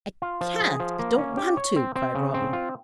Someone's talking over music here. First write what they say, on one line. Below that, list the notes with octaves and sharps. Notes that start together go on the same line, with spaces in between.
"I can't--I don't want to," cried Robin.
F4
F3
G#4
F3
A#3
C#4
G4
C#5
C4
C4
C#3
C4
F4